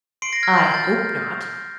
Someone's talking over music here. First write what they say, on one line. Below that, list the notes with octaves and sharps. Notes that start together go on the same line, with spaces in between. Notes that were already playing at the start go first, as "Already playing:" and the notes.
"I hope not."
C6 C7 D7
A#6 C7
F6 G#6 A#6
G6 A6
C6 G#6
G6 A6
F6 G#6